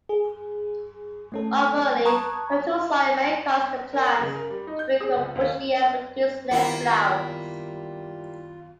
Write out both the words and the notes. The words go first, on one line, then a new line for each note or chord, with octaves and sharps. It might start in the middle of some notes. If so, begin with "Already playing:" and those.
Overly fertile soil may cause the plants to become bushy and produce less flowers.
G#4
A3 C#4 A4
A5 A#5 C#6 D#6 F#6 G#6
A#4
F#7
C#3
A#4
G3
D#4
G6
G#4
C#2
D#2
D#3 G3 A#3 B3 E4 F4